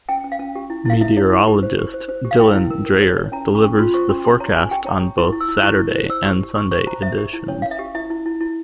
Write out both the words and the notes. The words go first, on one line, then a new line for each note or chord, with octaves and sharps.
Meteorologist Dylan Dreyer delivers the forecast on both Saturday and Sunday editions.
C#4 G5
C#4
F5
C#4
G4
E4
E4 F5
E4 E5
E4 C#5
E4
G4
C5
G4
C5
C5
G4
F5
E4 G5
E4
A#4
A#4
C#5
C#5
C#4 A#5
C#4
C#6
C#4
F4 C6
C5 C#6
C#4 C6
G4 C6
C#5 A#5
G4 G#5
G4 G5
C#5 A#5
G4
E4 C#6
E4
E6
E4
E4 C#6
E4
C5
C5 E6
G4
G4
G4 C#6
C5 C#6
C5 A#5
C5 E5
G4
E4
C#4 C#5
C#4 F5
E5
G4
E4 E5
E4
E4
E4